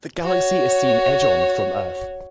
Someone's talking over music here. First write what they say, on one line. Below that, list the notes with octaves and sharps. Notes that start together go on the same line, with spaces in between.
The galaxy is seen edge-on from Earth.
F#4 C#5